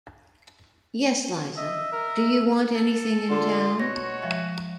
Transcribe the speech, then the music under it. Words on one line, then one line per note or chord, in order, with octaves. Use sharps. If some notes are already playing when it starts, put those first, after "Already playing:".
Yes, Liza; do you want anything in town?
D#5 E5
A#4
A4 A#4
D3 F4
B2 F#4 C#5 A#6
F3 G#3 E5